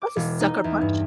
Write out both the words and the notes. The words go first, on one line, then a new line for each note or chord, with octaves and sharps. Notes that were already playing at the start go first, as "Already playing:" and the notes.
That's a sucker punch.
D6
E1
D#4
E2
G2